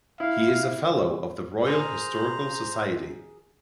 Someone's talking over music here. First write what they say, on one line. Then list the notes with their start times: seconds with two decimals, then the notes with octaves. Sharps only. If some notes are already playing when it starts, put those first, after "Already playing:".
He is a Fellow of the Royal Historical Society.
0.20 E4 F5
1.66 G#4 A#4 C5 A#5